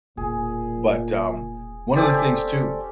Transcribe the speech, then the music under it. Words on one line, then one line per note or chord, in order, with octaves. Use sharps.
But um one of the things too
E1 A#2 G#4
C#4 G4 A4 C5 D5 G5